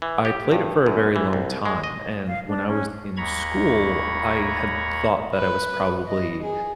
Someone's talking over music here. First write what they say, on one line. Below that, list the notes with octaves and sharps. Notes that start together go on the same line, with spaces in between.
I played it for a very long time, and when I was in school, I had thought that I was probably,
E3
G4
G2
F#2
E3
C2
G#3
D#5
F5
D4
C#4
D#2 A#5 B5 C#6 G#6
B4
D#5
G#4